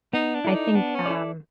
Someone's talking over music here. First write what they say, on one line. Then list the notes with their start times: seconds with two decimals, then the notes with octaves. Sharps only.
I think, um
0.13 B3 D#4
0.34 D4
0.45 E4 A4 D5
0.54 D#4
0.75 B3 D4
0.95 C#4
1.06 E4 A4 D5